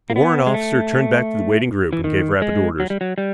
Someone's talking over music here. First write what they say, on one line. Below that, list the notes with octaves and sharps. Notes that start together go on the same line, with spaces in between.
The warrant officer turned back to the waiting group and gave rapid orders.
A#3
B3
G#3
A3
E3
D#3
G#3
F#3
G3
F#3
G3